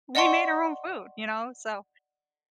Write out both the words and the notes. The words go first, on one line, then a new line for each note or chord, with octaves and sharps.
we we made our own food, you know, so
D5 D#5 F#5 A5 C6 C#6